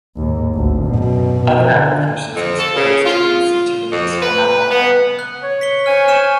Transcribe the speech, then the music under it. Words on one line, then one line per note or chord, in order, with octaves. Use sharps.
Other applications exploit its tendency to release formaldehyde.
D#2 G#2
G#1 D2
F#2 B2
B2
D3
F2
A4
C#3
F4
F2
B4
B3
F#6
C#5
B6 C#7 G7
C5 C#5 G#5 F6
C#6 F6 E7